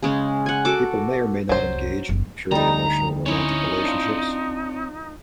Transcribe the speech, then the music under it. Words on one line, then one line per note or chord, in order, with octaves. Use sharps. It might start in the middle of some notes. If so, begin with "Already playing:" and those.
People may or may not engage in purely emotional romantic relationships.
C#3 G#3 C#4
F#5 G#5
F#4 A4 D6
C2 F2 F#3 C5
F#1
D2 G3 D#4 A#5
C4 C#4 D#4 E4 C#5
D4 F4